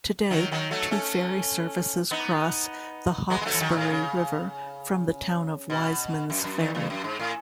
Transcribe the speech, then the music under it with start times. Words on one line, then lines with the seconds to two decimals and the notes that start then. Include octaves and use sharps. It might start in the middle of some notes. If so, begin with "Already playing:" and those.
Today, two ferry services cross the Hawkesbury River from the town of Wisemans Ferry.
0.31 D#3 F#3
0.51 D#3 F#3
0.71 F#3 A3
0.91 A3 C#4
2.11 B3 D#4
3.30 G#3 B3
3.41 G#3
3.46 F#3 A3
3.54 E3
3.60 D#3 F#3
3.76 A2
3.90 C#3
5.70 B2
6.30 F#2
6.44 F#2
6.59 E2
6.75 E2
6.90 F#2
7.04 G#2
7.20 A2